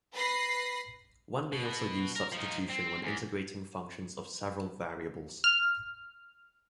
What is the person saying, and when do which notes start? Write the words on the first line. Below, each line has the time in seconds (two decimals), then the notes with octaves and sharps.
One may also use substitution when integrating functions of several variables.
0.13 B4 B5 A#6 C7
1.52 B2
2.16 A#4
2.32 F3 D#4
2.69 C4
3.03 E2
5.44 F6